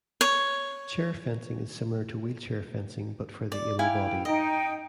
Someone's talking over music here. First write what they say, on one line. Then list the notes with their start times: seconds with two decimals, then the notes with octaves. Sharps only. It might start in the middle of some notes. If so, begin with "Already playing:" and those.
Chair fencing is similar to wheelchair fencing, but for the able bodied.
0.21 C#5
3.52 D5
3.79 E4 F5 G5 G#5
4.25 D#4 D#5 G5